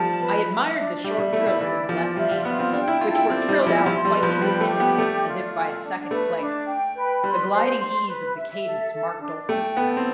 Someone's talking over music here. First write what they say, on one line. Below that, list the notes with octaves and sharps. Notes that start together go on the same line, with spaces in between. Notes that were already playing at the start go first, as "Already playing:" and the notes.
I admired the short trills in the left hand, which were trilled out quite independently, as if by a second player; the gliding ease of the cadence marked dolcissimo.
Already playing: F3 G3 A3 A5
B4
E5
D4
G3 E5
G3
A3 E4
G3
E3 D5
F3 F4
G3 E5
G3
B3 F4
C4
D4 G5
E4
F4 A4
E4
C4 D5
G3
E4
F3
F3 C6
G3
B4
F3
G3 G5
A3
G4
B3
A3 D5
F4
A4
D4
A3 B4
D4
G5
B4
G3 C6
C5
C6
B4
E5
A4
A4
D4
A3 G5
B3 A4
C4